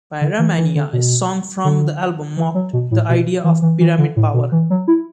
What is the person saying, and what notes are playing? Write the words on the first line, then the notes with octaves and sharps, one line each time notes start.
"Pyramania", a song from the album, mocked the idea of pyramid power.
D3
E3
E3
D3
B2
D3
E3
F#3
B2
A2
B2
E3
E3
E3
D3
A2
B2
E3
F#3
E4